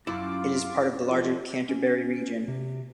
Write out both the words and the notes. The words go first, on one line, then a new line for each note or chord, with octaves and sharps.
It is part of the larger Canterbury region.
F#2 E4 F4 D6
F2
C#4
C3